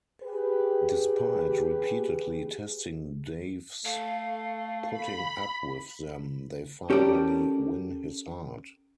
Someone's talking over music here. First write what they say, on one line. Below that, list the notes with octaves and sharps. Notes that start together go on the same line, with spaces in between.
Despite repeatedly testing Dave's putting up with them, they finally win his heart.
G4 G#4 B4
A3 F5
B5
C#4 G4 A4 A#4 D5